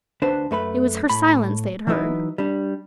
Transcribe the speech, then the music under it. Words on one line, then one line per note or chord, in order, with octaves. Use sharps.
It was her silence they had heard.
D2 D4 B4 C5
F#2 A3 B4 B5
A2 B5
E3 F#3 D#4 E4 B4
G3 D4